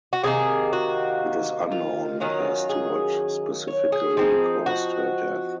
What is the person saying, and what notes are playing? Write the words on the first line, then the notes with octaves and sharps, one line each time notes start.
It is unknown as to what specifically caused her death.
F#4
C3 D#3 A#3 G#4
F#4
F4
D#3 F#3 C#4 F4 F#4
G#4
C#5
G#4
F3 C4 D#4
F#4